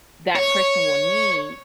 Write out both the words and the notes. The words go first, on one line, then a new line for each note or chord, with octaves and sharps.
that person will need,
C#5